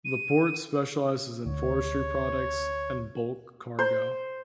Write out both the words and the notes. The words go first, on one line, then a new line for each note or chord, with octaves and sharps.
The port specialises in forestry products and bulk cargo.
D#7
D2 C#5
C5